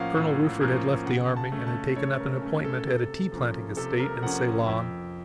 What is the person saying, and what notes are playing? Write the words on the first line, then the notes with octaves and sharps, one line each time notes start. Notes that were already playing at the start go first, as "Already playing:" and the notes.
Colonel Rufford had left the army and had taken up an appointment at a tea-planting estate in Ceylon.
Already playing: A2 F3 A#3 C#4 F5 F#5
A2
F3 A#3 C#4
C#3 F#5
A5
A3 C#4
A5
C#3 C#5
A#4
A3 C#4
A4
C3 A4
F3 A#3 C#4
C3 A4
A#4
F3 A#3 C#4 F#5
F2